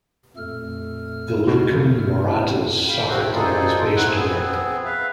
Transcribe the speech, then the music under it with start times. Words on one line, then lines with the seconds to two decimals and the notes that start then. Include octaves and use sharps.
The Lidcombe Waratahs soccer club is based there.
0.37 F2 A#2 A3 A4 F6
2.89 F5 G5 B5
3.08 A3 C4 F#4 G4 F5
3.35 D#4 F4 G#4 A4 C5 D5
3.96 A3 C4 E4 F#5 C6 F#6
4.12 B3 C4 G#4
4.85 B4 E5 F5